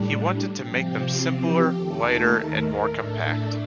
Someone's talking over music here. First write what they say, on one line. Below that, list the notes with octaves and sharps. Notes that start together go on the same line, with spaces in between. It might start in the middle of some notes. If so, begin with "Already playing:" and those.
He wanted to make them simpler, lighter, and more compact.
Already playing: A2 G3 D4
C3 F3 C4 G4
G4
D#2 D#3 A3 A4
A#4
A2 A3 D4 A4